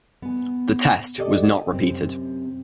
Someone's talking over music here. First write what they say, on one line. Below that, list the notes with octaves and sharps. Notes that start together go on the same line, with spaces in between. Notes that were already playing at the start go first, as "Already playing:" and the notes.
The test was not repeated.
B3 G#5
G4 A4 D5 D#5
F#2 C3 C4